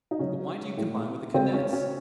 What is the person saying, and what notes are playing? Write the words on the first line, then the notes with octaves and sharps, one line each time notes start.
"But why do you combine with the Cadets?"
D#4
C#3 F#3 C#4
A2 G#3
C#3 G#3 C4
C#4
C#4